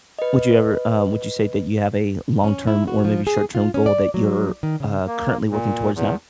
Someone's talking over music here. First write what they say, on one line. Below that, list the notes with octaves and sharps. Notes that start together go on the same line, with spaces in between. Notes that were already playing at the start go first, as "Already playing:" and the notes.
Would you ever um, would you say that you have a long-term or maybe short-term goal that you're, uh, currently working towards now?
B4 D#5
C#4
E4
F#4
F3
G#4
F4
C#4
D5
F#3
D#3
C#3
A#3
A#2
E2